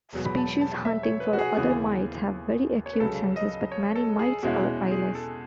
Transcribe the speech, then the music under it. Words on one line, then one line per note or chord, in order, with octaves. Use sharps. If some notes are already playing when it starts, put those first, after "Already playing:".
Species hunting for other mites have very acute senses, but many mites are eyeless.
E1 E2 B2 F#3 B3
B5
A5
A5
E5
C#5
B4
F#4
G#4
D#2 C#3 E3 B3 G#4
C#5
B4
C#2 C#3 F#3 A4
D#5
C#5
A4
G#4
E2 B2 G#3 C#4 E4 F#4
G#4
A4